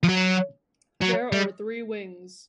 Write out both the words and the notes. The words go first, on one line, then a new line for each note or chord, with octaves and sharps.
There are three wings.
F3
F#3
F#3
G3